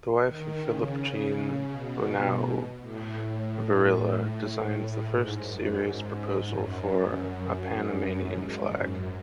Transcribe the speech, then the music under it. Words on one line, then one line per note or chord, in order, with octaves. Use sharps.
The wife of Philippe-Jean Bunau-Varilla designed the first serious proposal for a Panamanian flag.
D#3
C#3
B2
A2
A2
G#2
F#2
G#2
G#2
F#2
F#2
G#2
F#2